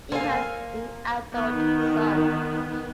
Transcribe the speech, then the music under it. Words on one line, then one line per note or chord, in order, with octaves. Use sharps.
He has an adult son.
A#3 A4 C5 F5 G#5
D#3 B3